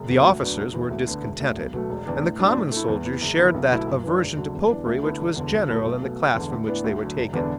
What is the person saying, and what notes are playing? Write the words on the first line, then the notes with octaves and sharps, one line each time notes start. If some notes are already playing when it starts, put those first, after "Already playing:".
The officers were discontented; and the common soldiers shared that aversion to Popery which was general in the class from which they were taken.
Already playing: F#1
E2 B2
D2
D3 F#3 B3 D4
E1
E2 B2 B3 E4
D2
D3 B3
E1
D2 D3
B1
B2 F#3 A3
E1
E2 E3 D4
A2
F#3 D4
A2
A3 E4
E2
E3 B3
F#1
E2 D3 B3 E4
B1
B2 A3 E4
F#2
E3 D4
E1
D2 D3 F#3
E2
E3 D4
D2
D3 B3 E4
E1
E2 D3
B1
B2 A3 E4
B1
B2 A3
E1
E2 D3
A2
E3 B3 D4
D2
D3 F#3
E1
E2 D3 B3 D4